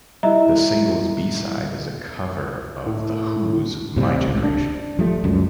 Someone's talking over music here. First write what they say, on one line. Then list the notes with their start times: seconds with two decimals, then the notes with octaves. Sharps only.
The single's B-side is a cover of The Who's "My Generation".
0.23 G3 E4 D#5 E5 A#5
2.86 A2
3.96 A2 C3 E3 G3
4.28 C#2
4.43 D4
4.99 F3 G3 A3
5.24 C#2 F#2